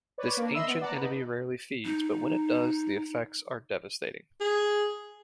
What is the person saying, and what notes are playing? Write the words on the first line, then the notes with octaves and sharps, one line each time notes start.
This Ancient Enemy rarely feeds, but when it does, the effects are devastating.
B4 C#5 D5
A#3 D4
D#5 E5 B5 C6 E6
B3
D5 F#5 A5 A#5 D6
D#4 B4
D#4
G#4